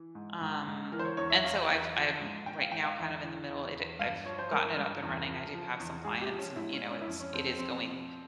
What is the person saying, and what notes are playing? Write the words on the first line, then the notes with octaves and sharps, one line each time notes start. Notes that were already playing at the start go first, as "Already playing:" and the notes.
um, and so, I've I'm right now kind of in the middle it I've gotten it up and running. I do have some clients and, you know, it's it is going
Already playing: E3
G#2
G#2
G#2
E3 A#4
C5
C#5
E2 C#5
E5
E2 F5
E2
F3
G#2
G#2 G5
F5
G#2 G5
F5
E2 E5
E3
E2
E2
G2 F5
F3 C#5
C5
G2 A#4
G2
E2
F3
F3
E2
G#2 G#4
G4
F3
C#4
G#2 E4
C#4
G#2
C#4
E4
F2 C#4
C#4
F2 C4
C4
F2 C4
F3